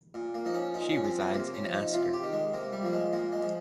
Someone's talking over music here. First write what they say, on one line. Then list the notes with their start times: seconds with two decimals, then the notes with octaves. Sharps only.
She resides in Asker.
0.14 A#2
0.35 A#3
0.45 F3 D#4
0.54 C#4
0.74 A#2 D#4
0.89 C#4
1.04 F3 C4
1.20 C4
1.34 C3 A#3
1.54 C#4
1.64 F3
1.74 D#4
1.93 C3 F4
2.13 G4
2.23 D#3
2.33 G#3
2.53 C3 A#3
2.73 G3
2.83 F3 A#3
2.93 G#3
3.13 A#2 A#3
3.32 G#3
3.42 F3